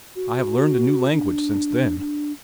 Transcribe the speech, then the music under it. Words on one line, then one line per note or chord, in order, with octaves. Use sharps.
I have learned a new language since then.
F#4
D4
D4